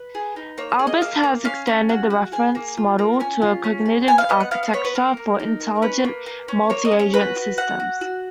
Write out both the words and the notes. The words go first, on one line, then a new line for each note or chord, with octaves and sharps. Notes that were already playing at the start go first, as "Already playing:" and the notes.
Albus has extended the reference model to a cognitive architecture for Intelligent Multi-Agent Systems.
Already playing: B4
G#4
D#4
A#3 C#5
G#4
D#5
A#3 F5
A#3
C#4 F5
C#4
F#4
F#4
G#4 G#5
A#3
F4
A#3
C#4 G#5
F4
C#4
G#4
B3 G#5
F5
B3 D#5
F#5
B3 F5
F5
B3 C#5
B4
A#3 A#4
A#3
D#4
A#3
C#4 B4
A#3
A#3
C#4
A#3 C#5
D#5
C#4
C#5
F#4 B4
F#4
F#4 F#5
F#4
F#4